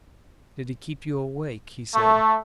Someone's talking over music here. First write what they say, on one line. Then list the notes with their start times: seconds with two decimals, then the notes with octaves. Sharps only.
"Did it keep you awake?" he said.
1.94 A3